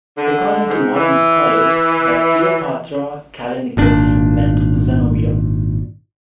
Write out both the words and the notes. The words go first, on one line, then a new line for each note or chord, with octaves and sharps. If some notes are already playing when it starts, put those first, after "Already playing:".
According to modern scholars, by Cleopatra Callinicus meant Zenobia.
D3
G#2
E3
G#1 A#2 D4